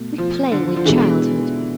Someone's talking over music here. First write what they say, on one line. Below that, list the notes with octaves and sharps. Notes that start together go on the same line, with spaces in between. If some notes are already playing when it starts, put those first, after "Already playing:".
We play with childhood.
Already playing: B2 A3
F3
D3
F3
B2 E3 G#3 D4 A4